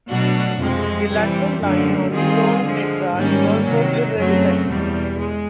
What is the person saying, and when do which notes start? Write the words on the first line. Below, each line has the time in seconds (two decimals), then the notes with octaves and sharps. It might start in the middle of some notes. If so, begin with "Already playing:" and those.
The lateral line on the Neon tetra is also iridescent.
0.08 B2 F#3 A3 D4 F#4
0.59 F2 C3 F3 G#3 C4
1.10 C3 E3 G3 C4
1.61 F#2 D3 F3 A3
2.12 D#3 G3 C4 F4 G#4
2.63 D3 F3 G#3
3.14 G#2 D#3 G3 A#3 C#4
3.66 C3 D#3 F#3
4.17 F#2 C#3 F#3 A3 C4
4.68 E2 B2 G3
5.19 G#3